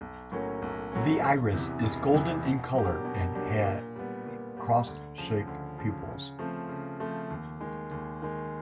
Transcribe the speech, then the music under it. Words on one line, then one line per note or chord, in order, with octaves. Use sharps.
The iris is golden in colour and it has cross-shaped pupils.
B1
A2 F#3 A#3 C#4
B1
A2 F#3 A#3 C#4
E1
E2 C3 E3
E1
E2 C3 E3
B2
F#3 A#3 D4 G4
B2
F#3 A#3 D4 G4
A#2
G3 B3
A#2
G3 B3
D2
C#3 F3
D2
C#3 F3
C#3
F3 A3 C4
C#3
F3 A3 C4
D#2
D#3 G#3
D#2
D#3 G#3